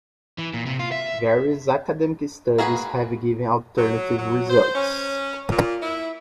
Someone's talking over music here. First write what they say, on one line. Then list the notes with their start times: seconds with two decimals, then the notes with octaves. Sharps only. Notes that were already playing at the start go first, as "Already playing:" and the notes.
Various academic studies have given alternative results.
0.38 E3
0.54 A#2
0.66 C3
0.79 F4
0.92 E5
2.58 A#3 F#4 G#4 A4 B4
3.77 F#3
4.18 F#3
4.50 C5
4.74 C#4
5.51 A#2
5.82 E4